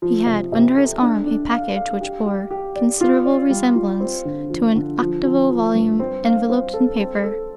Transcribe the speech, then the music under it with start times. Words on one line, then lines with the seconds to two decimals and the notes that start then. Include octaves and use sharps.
He had under his arm, a package which bore considerable resemblance to an octavo volume enveloped in paper.
0.02 F3
0.26 C3
0.52 C3
0.77 A4
1.02 D4
1.26 D4
1.51 F5
1.76 F5
2.01 G4
2.26 G4
2.51 G4
2.76 D5
3.01 F4
3.25 D5
3.50 G3
3.75 F4
4.00 C4
4.25 D3
4.50 F3
4.75 D3
4.99 F3
5.24 F3
5.49 F3
5.75 G2
6.00 C4
6.24 F5
6.49 C4
6.74 A4
6.99 C4
7.24 A4